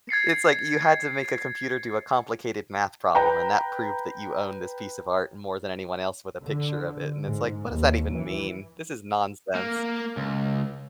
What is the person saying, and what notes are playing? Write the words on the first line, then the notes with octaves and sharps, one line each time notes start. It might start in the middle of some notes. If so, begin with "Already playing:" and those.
it's like you had to make a computer do a complicated math problem, and that proved that you own this piece of art more than anyone else with a picture of it. And it's like, "What does that even mean? This is nonsense."
G#6 A6 C7 C#7
B4 G5 A#5
D3
G#2
D#2
E3
A#3
C#2